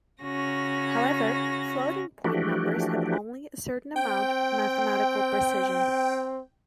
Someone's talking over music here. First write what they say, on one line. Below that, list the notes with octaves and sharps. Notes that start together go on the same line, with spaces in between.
However, floating-point numbers have only a certain amount of mathematical precision.
C#3 C#4 F#4 A#6
E3 F3 A3 D4 F#4 G4
C4 G5